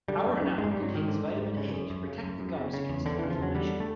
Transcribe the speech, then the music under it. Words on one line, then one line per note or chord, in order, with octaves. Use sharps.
Aronal contains vitamin A to protect the gums against inflammation.
D3 G3
F#2
F#2
G#2 G#3
G#2 G3
F#3
G#2 D#3
G#2 D3
G#2
G#2
C#3
F#2
F#2
C#3
F#2
F#2
C#3
C#3
E2
E2 D3
C#3 E3
F3
E2 F#3
D3 G3
A3